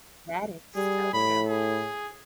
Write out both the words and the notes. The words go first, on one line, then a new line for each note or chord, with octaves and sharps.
That is so true.
G3 G#4
A2 B5
G#4